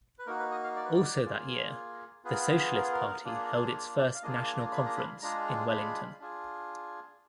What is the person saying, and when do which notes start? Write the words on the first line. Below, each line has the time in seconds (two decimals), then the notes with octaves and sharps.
Also that year the Socialist Party held its first national conference in Wellington.
0.19 B4
0.26 A#3 D#4 F#4 A#4
0.39 B4
0.51 D#5
0.64 F5
0.76 D5
0.85 B4
0.93 D5
1.25 A#3 F4 G#4
2.25 B3 F4 G#4 B4
2.32 A#4
2.39 B4
2.74 A#4
2.83 G#4
2.92 A#4
3.24 A#3 D4 F4 G#4
3.73 G#4
3.98 D5
4.15 F5
4.23 A#3 D4 F4 G#4 D#5
4.35 F5
4.48 G#5
4.60 A#5
4.72 B5
4.86 A#5
4.97 B5
5.22 G#3 D4 F4 G#4 A#5
5.71 B5
6.21 D4 F4 G#4